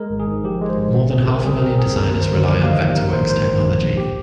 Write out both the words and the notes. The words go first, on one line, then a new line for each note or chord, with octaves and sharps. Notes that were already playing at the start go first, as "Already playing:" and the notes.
More than half a million designers rely on Vectorworks technology.
Already playing: G#3 A#4
G#1
G#4
G#2
F3 G4
G#3
C5
G#1
C4
C2 G#4
C3 A#4
G3 G#4
C4 A#4
C2 G#4
D#2 A#4
D#2
C5
D3
F3 D5
D#2 F5
D#5
D#2
A#1 A#4
A#1 C5
G#2 C5
D#3
A#1
A#1
G4